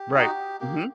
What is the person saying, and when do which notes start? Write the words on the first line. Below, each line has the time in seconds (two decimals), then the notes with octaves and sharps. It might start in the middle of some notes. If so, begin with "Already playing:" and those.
Right, mhm.
Already playing: G4
0.15 D#4 F#4
0.60 A#3 G4